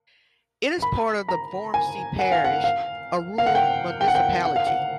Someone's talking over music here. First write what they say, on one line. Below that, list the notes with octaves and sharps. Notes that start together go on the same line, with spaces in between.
It is part of Vormsi Parish, a rural municipality.
B5
A#5
G#5
F#5
F5
F#5
F5
F5
F#5
G5
G5
F#5
G5
F#5
F5
F#5